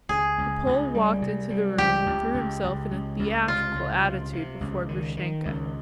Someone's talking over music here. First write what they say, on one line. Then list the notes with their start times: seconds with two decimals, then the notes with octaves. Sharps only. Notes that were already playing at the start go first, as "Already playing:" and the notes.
The Pole walked into the room and threw himself in a theatrical attitude before Grushenka.
0.09 C#2 G#4
0.38 C#2
0.66 C#2
0.94 G3
1.22 C3
1.50 G3
1.78 C#2 G4
2.06 C#2
2.34 C#2
2.64 C#2
2.91 C#2
3.19 C#2
3.47 C3 F4
3.75 C#2
4.03 C3
4.33 C3
4.61 C#2
4.89 D#3
5.17 D#3
5.46 C#2